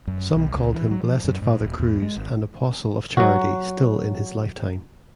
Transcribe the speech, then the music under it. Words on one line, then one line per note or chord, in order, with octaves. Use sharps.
Some called him "Blessed Father Cruz" and "Apostle of Charity" still in his lifetime.
F#2
B1
C#2
E3
F#3
F3
F#2
G#2
D#1
E2
G#3
G#1
F#3 F#4